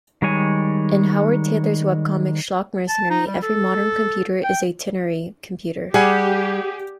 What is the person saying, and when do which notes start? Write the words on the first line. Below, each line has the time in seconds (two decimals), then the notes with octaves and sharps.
In Howard Tayler's webcomic "Schlock Mercenary", every modern computer is a ternary computer.
0.22 D#3 G3 G#3 C#5 G#5
2.89 A5
3.10 D#4
3.27 G3
3.42 A4
4.44 G5
5.94 G3 G4 G#4 F#5 G#5